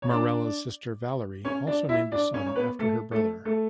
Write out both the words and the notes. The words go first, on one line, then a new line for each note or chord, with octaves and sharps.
Marella's sister Valerie also named a son after her brother.
C#5
D4 D5
C#4 C#5
D4 D5
E4 E5
D4 D5
C#4 C#5
C#5
B3 B4
A3 A4
A3 A4
A3 A4